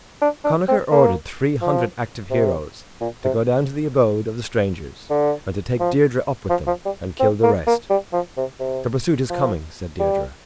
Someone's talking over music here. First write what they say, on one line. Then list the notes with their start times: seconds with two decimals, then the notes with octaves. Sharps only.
Connachar ordered three hundred active heroes to go down to the abode of the strangers, and to take Deirdre up with them and kill the rest. "The pursuit is coming," said Deirdre.
0.21 D4
0.44 D4
0.68 C4
0.91 A#3
1.62 F3
2.31 C3
3.01 A#2
3.24 C3
5.10 D3
5.80 F3
6.50 F3
6.67 F3
6.85 G3
7.20 C4
7.43 A#3
7.67 A#3
7.90 G3
8.13 F3
8.37 C3
8.60 C3
9.30 F3
10.00 G3